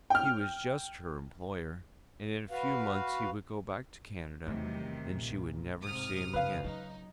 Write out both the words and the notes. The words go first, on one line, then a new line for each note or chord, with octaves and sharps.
He was just her employer, and in a few months he would go back to Canada, and she would never see him again.
G5 F6
F#4 B4 F5
E2 C3 D#3 F#3 G3 A3
B1 A#2
G#2 C3 D#6 F6
F#2 C#3 B4 F5
F#3 D#4